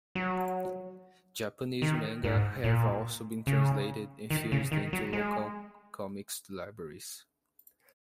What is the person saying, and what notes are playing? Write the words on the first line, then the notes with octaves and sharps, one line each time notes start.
Japanese manga have also been translated and fused into local comics libraries.
F#3
D#3
G#2
A#2
C#3
D#3
C#3
D#3
F#3
G#3